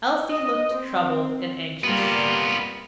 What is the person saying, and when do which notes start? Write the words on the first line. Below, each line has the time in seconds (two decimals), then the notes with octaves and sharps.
Elsie looked troubled and anxious.
0.31 D#5
0.74 C4
1.84 G3 A#3 B3 F4